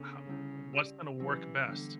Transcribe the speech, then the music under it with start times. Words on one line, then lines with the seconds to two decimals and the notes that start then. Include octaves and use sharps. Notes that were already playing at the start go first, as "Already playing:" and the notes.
How what's gonna work best?
Already playing: C#3 B3 D4 A4 C#5
0.27 D3 G3 C#4 E4
0.73 C#4 G4 D5
1.19 E3 F#3 C#4 G4
1.66 D3 E3 G3 B3 D4